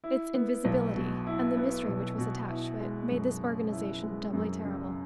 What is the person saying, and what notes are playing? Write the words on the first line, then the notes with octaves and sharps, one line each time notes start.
Its invisibility, and the mystery which was attached to it, made this organization doubly terrible.
E4
B3
B1
B2
E4
B3
B1
B2
E4
G#3
F#2
C#3
E4
G#3
F#2
C#3